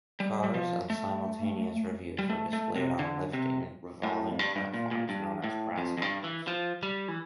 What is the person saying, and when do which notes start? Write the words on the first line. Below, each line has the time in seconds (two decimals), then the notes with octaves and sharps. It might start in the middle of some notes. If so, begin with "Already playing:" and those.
Cars and simultaneous revues were displayed on lifting, revolving platforms known as "grass-hoppers".
0.20 G3
0.44 G3
0.54 F3
0.90 A3
2.19 G3
2.30 A3
2.53 A3
2.76 C3
2.99 D3
3.33 C3
4.03 A2
4.30 F2
4.39 G2
4.56 G2
4.74 A#2
4.91 A#2
5.09 G2
5.44 A2
5.78 F2
5.98 F2
6.02 G2
6.24 E3
6.48 F3
6.83 G3
7.08 E3